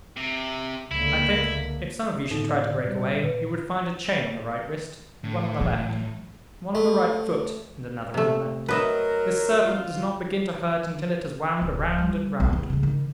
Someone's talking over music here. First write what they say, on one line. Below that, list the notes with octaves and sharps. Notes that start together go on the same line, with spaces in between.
I think, if some of you should try to break away, you would find a chain on the right wrist, and one on the left; one on the right foot, and another on the left. This serpent does not begin to hurt until it has wound around and round.
C3
C#2 D3 A#3 E4
A2 D3 B3 D#4 A4
D5
A#2 G3
A#2 B4
A2
E3 F#3
A3
C3 A3
F#3 A#4 B4 D#5 E5
F4
D1
G3
B1
E2
C#3 A#3
D#3